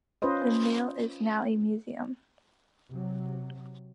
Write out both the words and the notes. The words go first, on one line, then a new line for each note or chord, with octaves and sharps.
The mill is now a museum.
C#4 F4 B4 C5 D#5
C3 F#3